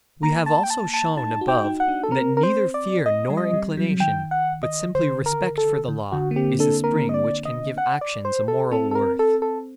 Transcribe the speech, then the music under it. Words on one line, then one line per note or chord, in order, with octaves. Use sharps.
We have also shown above that neither fear nor inclination, but simply respect for the law, is the spring which can give actions a moral worth.
A#3 A#5
A5
G5
A5
A5
D#4 A5
F#4
G5
D#4
F#5
D4
A4
C4 A#4
A#4
C5
D5
D#5
G3
D#5
G3
F#3
D#3 G5
F#5
D#5
D3 C5
A#4
A4
D3
D3 F#4
A#3
C4 G4
D4 A4
A#3 A#4
D#5
D5
D#5
F#5
D5
C5
A4
C4 A4
A4
A#4
A4
A4